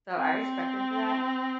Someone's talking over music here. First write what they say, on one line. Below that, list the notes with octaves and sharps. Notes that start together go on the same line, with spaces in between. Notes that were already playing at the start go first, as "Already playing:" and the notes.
So, I respect them for that,
C4